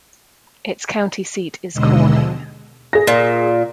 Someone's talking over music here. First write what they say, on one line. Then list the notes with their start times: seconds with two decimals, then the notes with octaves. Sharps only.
Its county seat is Corning.
1.74 D#2 B2 D3 G#3 D#5 E6
2.93 G#4 A#6
3.07 A#2